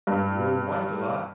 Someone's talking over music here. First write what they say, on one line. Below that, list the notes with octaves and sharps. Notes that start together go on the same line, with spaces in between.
The road winds a lot.
G2